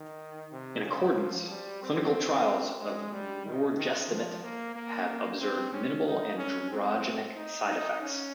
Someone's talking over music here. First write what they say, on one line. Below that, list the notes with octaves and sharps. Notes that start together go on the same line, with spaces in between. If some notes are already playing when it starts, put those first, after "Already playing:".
In accordance, clinical trials of norgestimate have observed minimal androgenic side effects.
Already playing: D#3
C3
C#3
F3
G3
C4
G#3
G3
D#3
D#3
F3
A#3
A#3
C4
C#4
D#4
C#4
C4
D#4
D#4
C#4